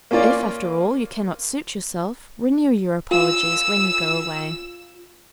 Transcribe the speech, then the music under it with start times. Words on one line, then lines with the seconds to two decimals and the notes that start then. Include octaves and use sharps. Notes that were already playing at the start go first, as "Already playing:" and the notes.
If, after all you cannot suit yourself, renew your apologies, when you go away.
0.11 A#3 C#4 F4 D5
3.11 F4 E6